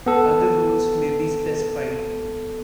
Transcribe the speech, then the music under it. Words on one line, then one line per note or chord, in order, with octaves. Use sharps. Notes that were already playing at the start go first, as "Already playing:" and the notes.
Other rules may be specified.
B3 A4